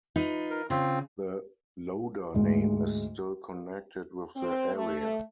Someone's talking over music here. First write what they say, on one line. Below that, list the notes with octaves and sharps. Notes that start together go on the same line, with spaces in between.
The Loder name is still connected with the area.
D#4 F4 B4
A#4
C#3 C4 F4
D2 G#2 G#3
C4
A3